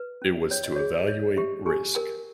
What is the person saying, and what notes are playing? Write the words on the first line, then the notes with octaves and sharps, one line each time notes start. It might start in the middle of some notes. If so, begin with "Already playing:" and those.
It was to evaluate risk.
Already playing: B4
C#4
C#4 C#5
D#5
G#4 C#5
C#5 D#5
G4 E5
G4 G#5
A#4 G5